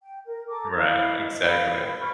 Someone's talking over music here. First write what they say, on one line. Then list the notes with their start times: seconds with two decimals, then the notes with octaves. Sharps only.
Right, exactly.
0.02 G5
0.27 A#4
0.49 A4 A#5 D6
0.76 E4 D#5 F5
1.42 E4 F5 B5
2.01 B5 C#6 F6